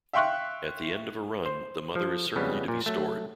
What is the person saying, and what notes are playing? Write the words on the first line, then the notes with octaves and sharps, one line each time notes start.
At the end of a run, the mother is certainly to be stored.
E5 F5 G5 C6 C#6 F#6
C5
F3 A4
F2 C#3 G3 G#3 B3
A#2
F#3 A3